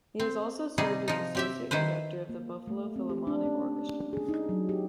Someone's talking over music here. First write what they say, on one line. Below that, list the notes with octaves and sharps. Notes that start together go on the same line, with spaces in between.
He has also served as associate conductor of the Buffalo Philharmonic Orchestra.
C4
C3 G3 D#4 G#4
F3 D#4
C4 G4 E5
D#3 E4 B4 C5
A#3
A3
C4
G4
D4
C#4
G#4
D#4
F#3
G4